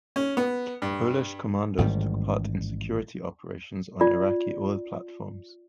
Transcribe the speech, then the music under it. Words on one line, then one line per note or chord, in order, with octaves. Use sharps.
Polish commandos took part in security operations on Iraqi Oil Platforms.
C#4
B3
G2
A1 G#2 D#3 G3
F4 D5